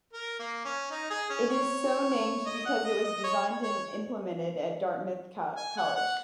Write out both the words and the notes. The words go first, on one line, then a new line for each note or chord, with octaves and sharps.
It is so named because it was designed and implemented at Dartmouth College.
A#4
A#3
C#4
D#4
G#4
C#4
C#5
D#5
F#5
D#5
D#5
C#5
C#5
G#5
F#5
F#5